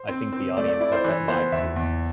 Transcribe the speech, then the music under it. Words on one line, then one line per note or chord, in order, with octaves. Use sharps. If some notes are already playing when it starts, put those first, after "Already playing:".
I think the audience got that vibe, to.
Already playing: C5
C4
C4
A3 D5
D5
E4 D5
C5
E3
B3 C5
E2 E5
E2